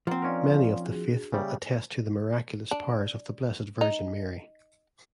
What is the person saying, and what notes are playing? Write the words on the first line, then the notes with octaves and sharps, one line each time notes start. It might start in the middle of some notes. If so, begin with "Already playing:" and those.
Many of the faithful attest to the miraculous powers of the Blessed Virgin Mary.
F3 A#3 C4 F#5 A#5
C#4 D#4 A#4 D5 F5 C6
D4 F#4 G#4
C#3 G3 A#3 G4 E5
D4
D#4